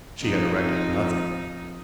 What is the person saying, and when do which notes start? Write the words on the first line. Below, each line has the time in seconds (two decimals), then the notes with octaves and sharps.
She had erected nothing.
0.22 F2 D#4